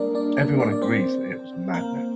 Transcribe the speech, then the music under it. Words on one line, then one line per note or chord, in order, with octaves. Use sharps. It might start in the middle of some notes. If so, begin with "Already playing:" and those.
Everyone agrees that it was madness.
Already playing: G3 G#3 A#3 D4 G#4 A#4 D5
D4 D5
D4 D5
D4 D5
D5
C4 C5
A#3 A#4